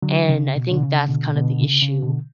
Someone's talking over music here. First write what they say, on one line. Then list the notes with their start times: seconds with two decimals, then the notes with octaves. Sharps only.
And I think that's kind of the issue
0.02 D3 F#3
0.29 C#3
0.55 B2
0.71 D3
0.83 C#3
1.08 B2 D3
1.36 B2 D3
1.62 C#3
1.82 C#3
2.02 B2 D3